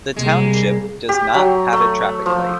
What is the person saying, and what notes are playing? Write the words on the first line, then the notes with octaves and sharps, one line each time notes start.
The township does not have a traffic light.
C3 G3 G#3 A#3
G4
F#3
A3
F3